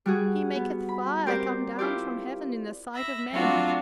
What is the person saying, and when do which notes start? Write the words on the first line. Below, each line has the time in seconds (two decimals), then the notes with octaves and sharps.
He maketh fire come down from heaven in the sight of men!
0.06 G3 F#4 G#4
0.56 B3
0.89 B5
1.26 C4 G4 A#4 C5 D5
1.79 E4 F4 G4 D5
2.96 E5 B5 A#6
3.31 F#3 A3 C4 D4 F4 F#4